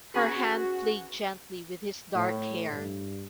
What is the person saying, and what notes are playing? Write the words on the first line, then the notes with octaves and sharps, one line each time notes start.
Her hand played gently with his dark hair.
C#4 F#4 G#4 B4
A2
G2